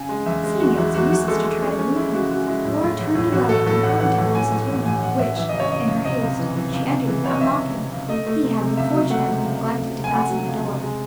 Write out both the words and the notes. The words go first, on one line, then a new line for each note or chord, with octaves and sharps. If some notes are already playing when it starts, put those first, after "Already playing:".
Seeing it was useless to try to move him, Lora turned away and hurried to Horace's room, which, in her haste, she entered without knocking, he having fortunately neglected to fasten the door.
Already playing: C#3 G#5
G#3
E2 E5
G#3
E2 F#4
E2 E4
E2 F#4
E2 F#4
G#3 A4
G#3
C#4
C#4
G#3 E4
C#3 F#4
G#3 F#4
G#3 E4
A2
A2
A1
A2
A1 F#4
A1 A4
A2 A4
A1 F#5
E3 F#5
A2
E3 G#5
A2
A1
A1 G#5
A1 F#5
A1 E5
E3 E5
C#2 D#5
C#5
C#2 D#5
C#2
C3 D#5
C#2
E3
E3
C#2
C3
E3
C3 C#5
D#5
C#2 E5
C#2
C3
C#2
A3 D#5
A3
C3
C3
C#2 E5
F#3
A3 F#5
C3
C#2
A3
C#2
C3
G#5
A3 F#5
F#3
C#2
C3
G#3